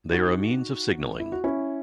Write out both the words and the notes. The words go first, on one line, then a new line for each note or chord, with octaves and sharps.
They are a means of signaling.
D#4 F#4
E4
F#4
C#4 E4